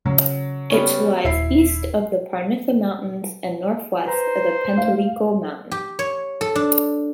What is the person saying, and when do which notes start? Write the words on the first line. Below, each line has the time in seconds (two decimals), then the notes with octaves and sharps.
It lies east of the Parnitha mountains and northwest of the Penteliko Mountain.
0.06 C#3 F#3
0.70 G3 B3 C#4
1.25 D#1 E4 C7
4.08 B4 C5 A#5
4.77 A3 F5
5.72 G4
5.99 C#5
6.41 A4
6.56 D4